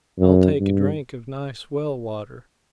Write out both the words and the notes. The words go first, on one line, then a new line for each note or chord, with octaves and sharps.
I'll take a drink of nice well-water.
F#2
G2